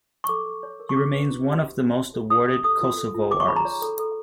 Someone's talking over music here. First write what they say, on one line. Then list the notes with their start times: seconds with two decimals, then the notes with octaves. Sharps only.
He remains one of the most awarded Kosovo artists.
0.24 C#6
0.29 A4 D6
0.46 A4
0.63 C#5
0.80 A#4
0.89 C#6
0.96 F#4 D6
1.13 B4
1.30 E4
1.47 G4
1.64 F#4
1.80 F#4
1.97 C#5
2.14 A4
2.30 D4 D#6
2.47 G4
2.64 A4 D#6
2.81 F4
2.98 A4
3.15 F4
3.31 G#4 D6
3.40 C#6
3.48 D#4 B5
3.56 A#5
3.65 C#5
3.82 A4
3.99 A4